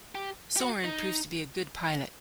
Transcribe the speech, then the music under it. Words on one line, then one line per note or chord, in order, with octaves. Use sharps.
Soren proves to be a good pilot.
G4
G4
F#4
D#4